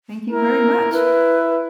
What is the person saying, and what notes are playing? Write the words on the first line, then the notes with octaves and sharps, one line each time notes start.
Thank you very much.
E4 A#4
E4 B4